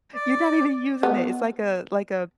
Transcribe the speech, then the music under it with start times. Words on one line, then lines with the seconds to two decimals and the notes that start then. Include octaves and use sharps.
You're not even using it. It's like a like a
0.15 D5
1.03 B3